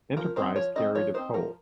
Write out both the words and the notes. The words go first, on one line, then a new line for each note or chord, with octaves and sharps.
"Enterprise" carried of coal.
F3 A#4
C4 D#4 C5
F3 C#5
C4 D#4 D#5
F3 C#5
C4 D#4 C5
F3 A#4